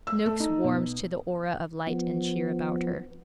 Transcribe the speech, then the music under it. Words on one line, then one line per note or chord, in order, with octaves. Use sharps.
Noakes warmed to the aura of light and cheer about her.
E6
A3
D#4
B2
F3 B3